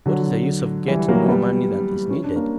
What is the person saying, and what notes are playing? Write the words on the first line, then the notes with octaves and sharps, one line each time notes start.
What is the use of getting more money than is needed?
D3 F#3
E3 G3
F#3 A#3
G3 B3
C#4
D4
A#3 C#4